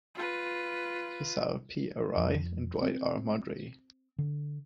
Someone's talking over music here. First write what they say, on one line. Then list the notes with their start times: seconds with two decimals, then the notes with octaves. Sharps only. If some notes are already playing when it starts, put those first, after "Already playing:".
Hisao P. Arai and Dwight R. Mudry.
0.15 F4 B4
2.17 F2
2.82 C4
4.18 D3